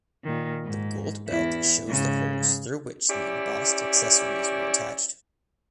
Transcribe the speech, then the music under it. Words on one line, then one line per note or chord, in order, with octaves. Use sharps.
The gold belt shows the holes through which the embossed accessories were attached.
A#2 D#3
G#2
E2 E4
G#2 C#3
C#4 E4 G4 D5